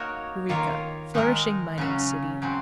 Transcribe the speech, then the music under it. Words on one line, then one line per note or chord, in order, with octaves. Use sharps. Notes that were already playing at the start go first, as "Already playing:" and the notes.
Yreka.--Flourishing mining city.
Already playing: A#3 D#4 F#4 A#4 C#5
D#3 A#3 F4 A#4 C#5
D#3 G#3 D#4 A#4
C#3 F#3 C#4
C#3 F#3 C4